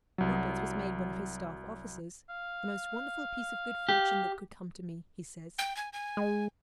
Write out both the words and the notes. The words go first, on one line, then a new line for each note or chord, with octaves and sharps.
Roberts was made one of his staff officers--"the most wonderful piece of good fortune that could come to me," he says.
C2 F#3
F5
G4
G5
G#5
G#5
G#3